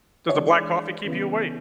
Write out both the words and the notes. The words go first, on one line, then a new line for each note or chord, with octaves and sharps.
Does the black coffee keep you awake?
C#5
E3 G#3 D4 D5
C#3 E3 B3 E4